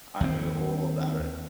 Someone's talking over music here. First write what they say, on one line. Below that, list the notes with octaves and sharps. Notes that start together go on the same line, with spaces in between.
I know all about it.
D#2 C4